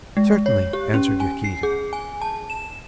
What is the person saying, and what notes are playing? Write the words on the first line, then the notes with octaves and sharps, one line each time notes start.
"Certainly," answered Yaquita.
G#3
C#5
G4
C#4
G#5
C7
G#4
G#5
A5
E7